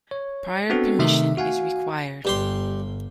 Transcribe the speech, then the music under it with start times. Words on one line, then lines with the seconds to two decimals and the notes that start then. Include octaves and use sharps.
Prior permission is required.
0.11 C#5
0.70 B3 C4 D4 F#4 A4
0.99 C3 D#3 A3 D#4 E5
1.37 F#4 F5 F#5 G#5
2.25 G1 G2 G4 C6